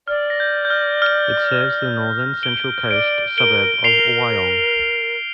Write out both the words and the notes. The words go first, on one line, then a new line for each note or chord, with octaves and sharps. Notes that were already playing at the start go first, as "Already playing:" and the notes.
It serves the northern Central Coast suburb of Wyong.
D5 F6
A#6
G6
G6
F6
F6
D7 G7
D5 D7 G7
A#4 D7 G7
A#4 C7 F7